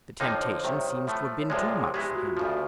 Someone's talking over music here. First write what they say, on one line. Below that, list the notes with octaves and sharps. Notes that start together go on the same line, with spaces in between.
The temptation seems to have been too much for him.
F2 D3 F3 A#3 D#4 C#5
C5
C5
C2 C3 D#3 C#5
A2 F3 A3
C#5
C2 A#2 F3 G#3 D5
G#4
D#3 G#3 B3 E4 G4
F#4
F4
D2 C#3 F3 F#4